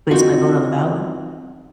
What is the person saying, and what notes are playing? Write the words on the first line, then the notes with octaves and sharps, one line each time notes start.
placed my vote on the ballot.
C4 D#4 F4 F#4